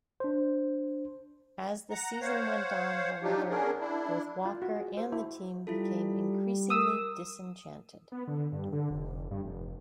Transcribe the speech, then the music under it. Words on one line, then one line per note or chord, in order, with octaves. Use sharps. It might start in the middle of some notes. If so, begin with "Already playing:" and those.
As the season went on, however, both Walker and the team became increasingly disenchanted.
D4 C5
F#5 A#5
C5 C#5 F5 F#5
F#3 D4 D#4 F4 G4
B3 C#4 D4 G#4 A#4
D4 E4
F4
F#4
G#4
C5
E4
G3 E4 F4 A4
A#4 D#6 E6
B3
D3
G2
D3
F1
G2
F1